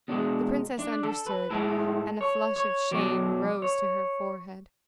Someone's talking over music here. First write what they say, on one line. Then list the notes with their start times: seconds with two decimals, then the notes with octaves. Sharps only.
The princess understood, and a flush of shame rose to her forehead.
0.08 B2 G#3 D4
0.79 D4
1.03 A4
1.27 B4
1.50 A2 G#3 A4
2.21 C#5
2.56 C#5
2.91 B2 F#3 D5
3.62 C#5